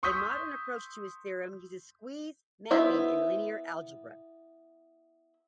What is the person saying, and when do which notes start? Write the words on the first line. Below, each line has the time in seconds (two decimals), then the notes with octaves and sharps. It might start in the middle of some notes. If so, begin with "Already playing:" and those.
A modern approach to his theorem uses squeeze mapping in linear algebra.
0.03 C6 C#6 D#6 E6 G6 B6
2.71 B3 E4 C5 E5